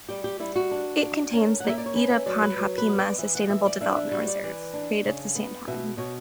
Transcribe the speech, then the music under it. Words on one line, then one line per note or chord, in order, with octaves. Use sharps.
It contains the Itapanhapima Sustainable Development Reserve, created at the same time.
G3 G4
G4
G3 E4
F#4
D4
D4
C#4 A#4
F#5
A#3 E5
D5
C#5
C#4 B4
E5
F#3 D5
B4
F#3
B4
B3
D5
E3 E5
F#5
E3 E5
D5
D4 E5
E5
G3 F#4
D5
E3 D5
D4
C#3
B3
B2 E5
B2 C#5